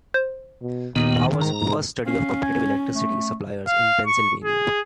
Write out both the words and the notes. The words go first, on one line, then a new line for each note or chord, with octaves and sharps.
Power's first study of competitive electricity suppliers in Pennsylvania.
C5
B2
D#2 A#2 D#3 B3
G#2 A#5
C#4 F5
G#5
A3
F5
C#6
G#4